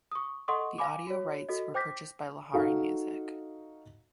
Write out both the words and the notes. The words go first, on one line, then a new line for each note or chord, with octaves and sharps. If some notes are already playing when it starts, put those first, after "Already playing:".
The audio rights were purchased by Lahari Music.
C#6 D#6
A4 D#5 F#5 C6 C#6 D#6
F5 G#5 B5 D6
F#4 C#5
F#4 A4 D#5
C5 G5 D6 G6 A#6 B6
D#4 F#4 A4 F5